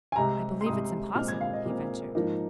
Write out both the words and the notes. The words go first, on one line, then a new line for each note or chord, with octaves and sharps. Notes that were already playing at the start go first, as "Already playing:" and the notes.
"I believe it's impossible," he ventured.
G#5
C2 C3 G#3 A#5
C6
C2 C3 G#3 D#6
A#2 G#3 C4 F6
G#6
F5
D#5
A#2 G#3 C4
G#2 F3 A#3 D#4